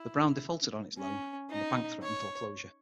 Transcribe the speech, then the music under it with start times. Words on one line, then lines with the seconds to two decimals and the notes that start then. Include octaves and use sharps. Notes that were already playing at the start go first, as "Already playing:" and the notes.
The Brown defaulted on its loan, and the bank threatened foreclosure.
Already playing: E4
0.99 C#4
1.51 D#4
2.02 C#5